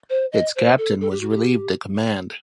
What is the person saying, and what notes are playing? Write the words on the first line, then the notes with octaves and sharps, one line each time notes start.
Its captain was relieved of command.
C5
D#5
C5
A4
A4
G4
F#4
G4